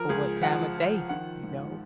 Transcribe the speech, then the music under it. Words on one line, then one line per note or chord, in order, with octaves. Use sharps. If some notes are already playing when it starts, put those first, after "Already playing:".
or what time of day, you know?
Already playing: F3 A#4
C#2 G#4
F3 F#5
F3
D#3 F#5
G#2